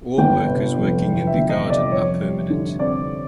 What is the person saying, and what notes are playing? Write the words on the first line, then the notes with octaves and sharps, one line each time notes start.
All workers working in the garden are permanent.
G1 G5
C3
F2
E3
E5
G1
D#5
C3
D5
F2 C#5
G3
D3
C4 D5